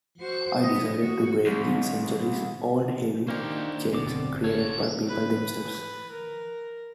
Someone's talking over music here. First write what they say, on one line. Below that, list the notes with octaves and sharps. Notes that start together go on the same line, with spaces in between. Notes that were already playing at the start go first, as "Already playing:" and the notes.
I decided to break the centuries-old heavy chains, created by people themselves.
F#4 C5
B3 D#5
F#4
C2
D#3 A#3 D4 D#4 G4 C5
G#1 F#2 B2 D3 C4 D6
C#4 A4 C#5
B4
A#4